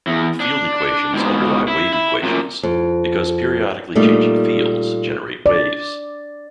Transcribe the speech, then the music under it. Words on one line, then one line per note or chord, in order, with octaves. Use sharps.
Field equations underlie wave equations, because periodically changing fields generate waves.
E2
D4
G#2 B2
E4
E4
F#2 A#2
F2
A#2 G3 A3 D#4
D5